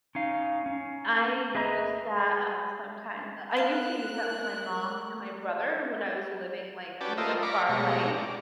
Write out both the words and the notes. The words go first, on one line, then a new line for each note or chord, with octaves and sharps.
I use that, um, sometimes. I used to use that with my mom and my brother when I was living like, you know, far away.
C#4 D#4 F5
C#4
G#4 B4 D#5 E5 A5 A#5
G#4
A#4 C5 F5 F#6
C#4 F#4 B4 D5 G5 A5
F4 A4 A#4 C5 D#5 E5
D5 F5 A#5 B5 C#6 D6
B2 G#3 A3 G4 A#5 C#6
D5